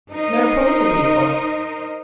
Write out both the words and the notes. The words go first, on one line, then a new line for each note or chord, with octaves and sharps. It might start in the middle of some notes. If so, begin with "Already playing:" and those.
Mariposa people!
D#4 A#4 C5 D#5